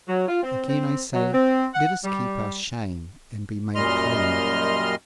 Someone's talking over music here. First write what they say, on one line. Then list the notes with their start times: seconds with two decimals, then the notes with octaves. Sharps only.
Again I say, let us keep our shame and be made clean!
0.08 F#3
0.28 F4
0.43 C4
0.69 C4
1.13 F#3
1.33 C4
1.74 F#5
2.04 G3
3.75 F#2 A#2 G3 D#5 C6 F6